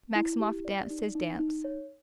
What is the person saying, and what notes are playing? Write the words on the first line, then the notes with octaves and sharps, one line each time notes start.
Maximov danced his dance.
E4
G4
D5
D#4
D#4
D#4
C#5